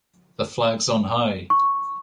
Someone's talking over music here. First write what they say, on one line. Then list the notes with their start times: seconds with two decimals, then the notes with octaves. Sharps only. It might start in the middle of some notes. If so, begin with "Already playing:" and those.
The flags on high!
1.50 C#6